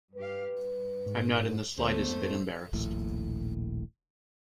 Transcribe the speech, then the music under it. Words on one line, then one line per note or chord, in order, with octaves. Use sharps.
I'm not in the slightest bit embarrassed.
G2 G4 B4 F5
G2
G#2
D2 G#2 D3 A3 B3 C5
F2
D#1 A#1 A2